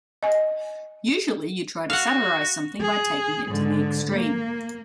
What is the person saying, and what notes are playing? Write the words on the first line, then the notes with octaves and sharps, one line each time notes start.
Usually you try to satirize something by taking it to the extreme.
D#5 G#5
F#4 F5 F#5
G#4
G#2 D3
A#3